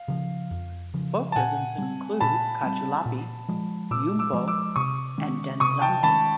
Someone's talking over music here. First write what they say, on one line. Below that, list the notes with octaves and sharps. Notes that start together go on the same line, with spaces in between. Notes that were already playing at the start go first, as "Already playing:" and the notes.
Folk rhythms include "cachullapi", "yumbo", and danzante.
Already playing: F5
C#3 F3
F2
C#3 F3
A5
A#2 F#5 G#5
G3 C4
A#2 A5 B5
G3 C4
A#2
F3 G#3
A#2 D6 E6
D6 E6
F3 G#3
D6 E6
C3 C#6 D#6
D#3 G#3 C#4
C3 C#6 D#6
G5 A5
D#3 G#3 C#4 A5 B5